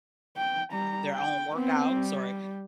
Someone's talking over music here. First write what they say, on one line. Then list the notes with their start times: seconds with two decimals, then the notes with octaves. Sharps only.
their own workouts, or
0.37 G5
0.72 G3 A#5
1.14 G5
1.54 B3 C4
1.93 G3